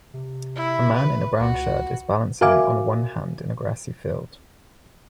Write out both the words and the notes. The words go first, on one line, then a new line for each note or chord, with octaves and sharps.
A man in a brown shirt is balancing on one hand in a grassy field.
C3
E4
B4
C#2 F#4
F#4 A#4 E5 F5 G#5 D6